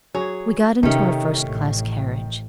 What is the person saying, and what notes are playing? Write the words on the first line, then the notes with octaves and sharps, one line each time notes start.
We got into our first-class carriage.
F#3 G#4 C#5
C3 D#3 A3 C#4 D#4 G4
A1